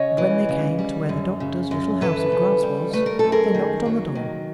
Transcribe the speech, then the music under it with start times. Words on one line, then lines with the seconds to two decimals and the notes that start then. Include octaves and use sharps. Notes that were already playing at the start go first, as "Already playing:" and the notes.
And when they came to where the Doctor's little house of grass was, they knocked on the door.
Already playing: C#3 C#5 D#5
0.18 E3
0.49 C#3
0.79 G3
1.09 F#2
1.40 C#3
1.71 F#2
2.01 E3 A4 B4
2.32 C#3
2.63 G3
2.93 A3 B4
3.06 A#4
3.19 F#2 A4
3.32 G#4 A#4
3.55 D#3
3.86 F#3
4.15 D#3